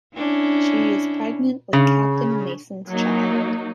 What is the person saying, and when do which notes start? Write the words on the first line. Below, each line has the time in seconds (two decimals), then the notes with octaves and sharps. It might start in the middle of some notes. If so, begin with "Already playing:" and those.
She is pregnant with Captain Mason's child.
0.15 C#4 D4 E4
1.73 C#3
2.90 F#3 A#3 D#4